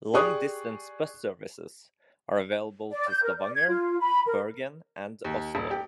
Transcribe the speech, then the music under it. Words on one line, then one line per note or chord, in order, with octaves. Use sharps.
Long distance bus services are available to Stavanger, Bergen, and Oslo.
G4 G#4 D5 C#6 D#6 F#6
D5
G6
A#4
D5
G#6
F4
B5
A#4
D#2
D#1
G4